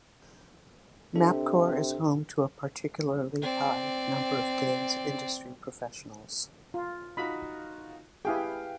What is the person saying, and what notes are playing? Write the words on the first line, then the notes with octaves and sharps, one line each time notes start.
MapCore is home to a particularly high number of games industry professionals.
C3 D4 A4
C4 D5
F4
D#4 F4 F#4 B5
E4 G4 G#4 B4 F5 G5